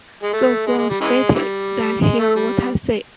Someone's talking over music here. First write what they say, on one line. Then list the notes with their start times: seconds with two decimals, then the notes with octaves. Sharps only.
Though Brown stated that Hear What I Say!
0.23 G#3
0.33 A3
0.67 G#3
0.78 G#3
0.90 G3
1.01 C#3 E3 G#3
1.34 D3 E3 G3
2.02 G#3
2.19 A3
2.36 G3